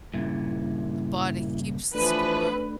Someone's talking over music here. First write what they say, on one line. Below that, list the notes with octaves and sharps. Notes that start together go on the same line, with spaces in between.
The Body Keeps the Score?
G2 A#2 C#3 E4
E3 F3 A3 D4 B4